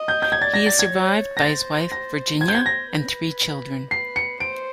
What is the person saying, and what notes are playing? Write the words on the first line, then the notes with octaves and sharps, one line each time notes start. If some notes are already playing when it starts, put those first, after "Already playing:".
He is survived by his wife Virginia and three children.
Already playing: D#5
G6
G6
G#6
D5 A6
A#6
A6
G#6
C#5
A#6
C5 A6
A#6
C5 G#6
G6
G#6
A#6
B4
B4 C7
C#7
C5 D7